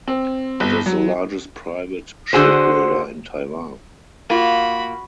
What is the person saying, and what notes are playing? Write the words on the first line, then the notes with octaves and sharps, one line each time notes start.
It is the largest private shipbuilder in Taiwan.
C4
G1
F#3
D3 F#4 G#4 C5
A#3 F4 F#4 B5